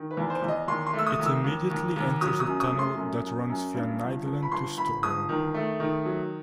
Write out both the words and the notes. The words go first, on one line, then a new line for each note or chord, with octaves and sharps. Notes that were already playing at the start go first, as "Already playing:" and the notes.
It immediately enters a tunnel that runs via Nydalen to Storo.
Already playing: D#3
B4
E2
C5
E2
D#5
D#2 C6
C6
A3
E6
D#6
D#2
E6
D#2
D#2
D#2
F#3 D#6
D#6
F#2
D#6
A3
C6
F#2
F#2
F#2
G2
G1
G1
B5
G1 C6
G1 B5
G1 D#6
D#3
A3
D#3
F#3